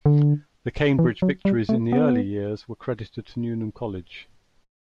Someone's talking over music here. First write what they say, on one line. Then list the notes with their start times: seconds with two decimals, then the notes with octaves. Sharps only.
The Cambridge victories in the early years were credited to Newnham College.
0.06 D3
0.99 E3
1.22 F#3
1.45 G3
1.69 A3
1.92 B3